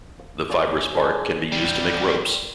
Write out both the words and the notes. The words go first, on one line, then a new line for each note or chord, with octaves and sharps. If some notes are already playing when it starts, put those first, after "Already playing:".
The fibrous bark can be used to make ropes.
D#6
C#5 D5 G#5
G#3 D4
E2 G3